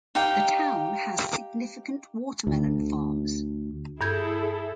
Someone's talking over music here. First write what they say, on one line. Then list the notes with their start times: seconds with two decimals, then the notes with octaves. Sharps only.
The town has significant watermelon farms.
0.15 D#4 G4 F5 G5
2.47 D2
4.01 G2 E4 G#4 A4 G6 G#6